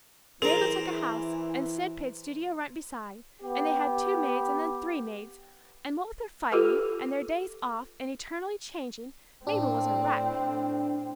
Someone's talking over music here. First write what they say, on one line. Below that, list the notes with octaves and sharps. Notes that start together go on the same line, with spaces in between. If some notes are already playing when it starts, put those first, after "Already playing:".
Mabel took a house, and Sid paid studio rent beside, and they had two maids, and then three maids,--and what with their fighting, and their days off, and eternally changing, Mabel was a wreck.
E3 G#4 A#4 C5 D5 A#5
B3 G4
F4 G4 A4 B4
A2 C4 D4